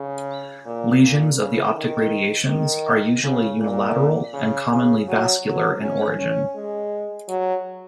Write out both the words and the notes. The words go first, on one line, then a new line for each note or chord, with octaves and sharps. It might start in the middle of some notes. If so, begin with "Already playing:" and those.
Lesions of the optic radiations are usually unilateral and commonly vascular in origin.
Already playing: C#3
A#2
A#2
C#3
D#3
D#3
C#3
A#2
C#3
C#3
F#3
F#3
C#4
C#4
G#3
F#3